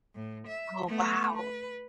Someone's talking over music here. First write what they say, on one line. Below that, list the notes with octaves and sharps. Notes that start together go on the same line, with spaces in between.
Oh, wow.
A2
E5
A3 B3
B4